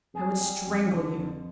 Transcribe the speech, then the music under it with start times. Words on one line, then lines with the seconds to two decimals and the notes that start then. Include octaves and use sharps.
"I would strangle you."
0.14 F2 G#4
0.41 G3
0.67 F2
0.93 D3
1.19 F2